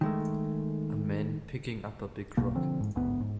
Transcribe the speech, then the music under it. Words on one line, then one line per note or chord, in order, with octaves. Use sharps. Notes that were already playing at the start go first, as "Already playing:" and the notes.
A man picking up a big rock.
D#3 G#3 A3
B1 B2 A#3
D3 F3 C4
G#2
A1 D2 G#2 B3
G#2